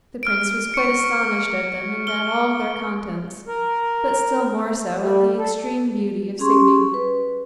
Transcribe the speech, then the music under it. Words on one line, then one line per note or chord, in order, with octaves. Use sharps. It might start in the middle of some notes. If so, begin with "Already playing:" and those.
The prince was quite astonished at them and at all their contents, but still more so at the extreme beauty of Signy.
F6 D7
C#6 C#7
F6 G7
A#4
G3
A4
C#4 G4 G#4 C6 C#6
B4